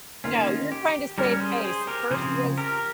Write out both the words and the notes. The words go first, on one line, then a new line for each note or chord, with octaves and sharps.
No, you're trying to save face. First it was,
D#3 A#3 C#4 F4
G4
G3 C#4 G4 A#4
G#4 C5
G#4 C5
G4 A#4
C#3 F3 C4 G#4 C5
G4 A#4